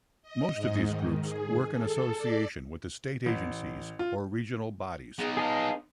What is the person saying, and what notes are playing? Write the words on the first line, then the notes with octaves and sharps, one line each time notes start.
Most of these groups work in association with the State Agencies or regional bodies.
D#5
G#2
D#3
G#4
A4
D5
A1
F4
B3 D#4 G#4
G#4 D#5 F5 A5